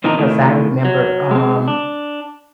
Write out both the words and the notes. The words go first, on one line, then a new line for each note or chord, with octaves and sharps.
'Cause I remember, um,
A#2 D#3 E3 C4 D4 D#4
A2 C3 D#3 A3
F#3
G#3 C4
D4